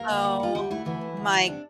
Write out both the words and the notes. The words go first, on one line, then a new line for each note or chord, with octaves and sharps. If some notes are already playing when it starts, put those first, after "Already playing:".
Oh, my
Already playing: A#3 A#4
D2
G3
G3 F4
D2 G3 G4
E3 A3 E4
D2 E3 E4
D2
D2
D2
C3 D4